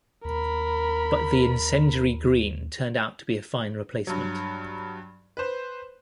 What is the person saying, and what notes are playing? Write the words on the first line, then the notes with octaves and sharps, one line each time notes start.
But the incendiary Green turned out to be a fine replacement.
D#2 A#4 B5
G2 F#3
B4 C5